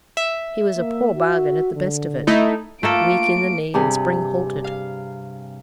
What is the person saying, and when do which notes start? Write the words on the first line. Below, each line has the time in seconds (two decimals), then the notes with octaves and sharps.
He was a poor bargain at the best of it--weak in the knee and spring-halted.
0.17 E5
0.77 A#3
1.16 F#4
1.74 D3
2.27 A3 D#4 E4
2.83 A3 A#3 F4 A4 D7
3.74 G2 C3 G#4
4.64 F5